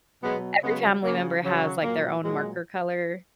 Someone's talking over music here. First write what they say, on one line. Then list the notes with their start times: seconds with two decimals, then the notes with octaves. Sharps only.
every family member has, like, their own marker color
0.23 B2 F#3 G#3 B3
0.63 C#3 F#3 G#3 B3
1.04 C#3 F#3 A#3
1.43 C#3 F#3
1.83 A#2 F#3 A#3
2.24 A#2 F#3 G#3